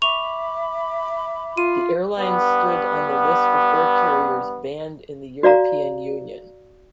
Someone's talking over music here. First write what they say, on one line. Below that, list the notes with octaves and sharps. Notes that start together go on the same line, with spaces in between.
The airline stood on the List of air carriers banned in the European Union.
E5 B5 C#6 D6 F7
F4 D#7
G2 B3
F#4 D5 F5 A#5